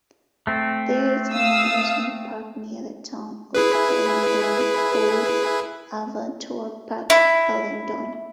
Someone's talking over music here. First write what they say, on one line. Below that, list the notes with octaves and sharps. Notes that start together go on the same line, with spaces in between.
There is an amusement park near the town of Hellendoorn called "Avonturenpark Hellendoorn".
A3 C4
F5 D#6 E6
E4 G#4 B4
E4